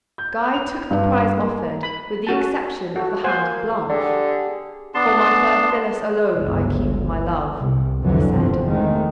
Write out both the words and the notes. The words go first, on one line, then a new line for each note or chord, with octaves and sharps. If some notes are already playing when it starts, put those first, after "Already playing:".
Guy took the prize offered with the exception of the hand of Blanche. "For my fair Phyllis alone I keep my love," he said.
G6
F7
G2
A#3
B5
C#4 F#4 A5
F#4 A4
A#3 C5 F5 F#5 G#5
D3 G4 G#4
B3 D4 A5 C6
G1 C#2 F#3
C2 C3
C2 F2 D3 E3 F#3
F1 E2 G2 F3 C4
D#3 G#3 A3